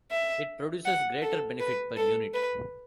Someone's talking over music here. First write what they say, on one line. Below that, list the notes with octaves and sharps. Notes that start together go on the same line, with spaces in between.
It produces greater benefit per unit.
E5
F#5
A4
B4
A4
B4